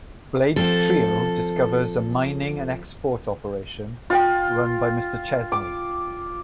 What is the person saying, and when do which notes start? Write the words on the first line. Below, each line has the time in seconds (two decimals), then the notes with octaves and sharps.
Blade's trio discovers a mining and export operation run by Mr. Chesney.
0.56 F3 C4 A4
4.10 F4 G5
5.52 D6